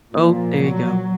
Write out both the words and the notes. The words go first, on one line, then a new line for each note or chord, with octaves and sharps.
Oh, there you go.
A#2 F3
F#3